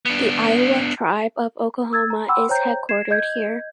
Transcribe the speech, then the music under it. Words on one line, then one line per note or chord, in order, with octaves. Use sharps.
The Iowa Tribe of Oklahoma is headquartered here.
B3 D4
E6 G#6 A6
A#5
F#5 G5 B5 C6 D6 E6
C5 C#5 G5 A#5 G6
G#6 C7 E7
D#5 G6 G#6